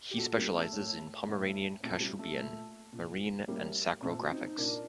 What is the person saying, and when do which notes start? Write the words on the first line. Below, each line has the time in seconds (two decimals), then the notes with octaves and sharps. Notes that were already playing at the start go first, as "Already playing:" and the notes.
He specializes in Pomeranian-Kashubian, marine and sacral graphics.
0.11 G4
0.18 A#2 F#4 A4
0.36 G3 A#3
0.54 A3
0.73 A2
1.28 A2
1.83 A#2 A3 C4
2.00 G3
2.19 A3
2.37 A#2
2.93 A#2
3.48 A2 G3 A#3
4.02 A#2 A3 C4
4.20 F#4
4.30 C4 D#4
4.46 D#4
4.58 A#2 A#3 D4